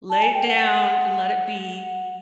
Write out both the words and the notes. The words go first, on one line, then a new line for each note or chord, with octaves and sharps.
lay it down and let it be,
A5
G#5
G5
F#5